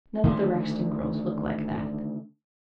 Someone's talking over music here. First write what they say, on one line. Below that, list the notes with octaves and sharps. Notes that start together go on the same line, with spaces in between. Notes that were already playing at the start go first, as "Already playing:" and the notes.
None of the Rexton girls looked like that.
D3 D#3 G3 A3